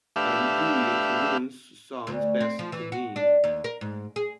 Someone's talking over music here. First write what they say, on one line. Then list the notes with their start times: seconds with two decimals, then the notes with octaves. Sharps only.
Undue influence sounds best to me.
0.16 A3 D4 G4 B4 E5 F5
2.07 D2
2.41 C4
2.59 F3
2.72 E3
2.92 F#4
3.16 D4
3.44 D#2
3.64 A#4
3.81 G#2
4.16 G#4